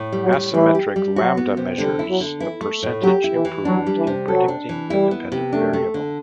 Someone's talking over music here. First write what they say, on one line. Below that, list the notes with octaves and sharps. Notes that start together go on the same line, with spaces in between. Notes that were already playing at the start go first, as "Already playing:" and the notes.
Asymmetric lambda measures the percentage improvement in predicting the dependent variable.
Already playing: A2
G3
F#3
A2
E3 G3
G4
G3
F#3 F#4
B3
C3
D3 G3
E4
F#3
D3
E3 E4
A3
A2
F#3 G4
E4
E3
E3
F#3 D4
G3
E3
C3
F#3 A4
D4
E3
G3 E4
B3
C3
A3 D4
A3
D3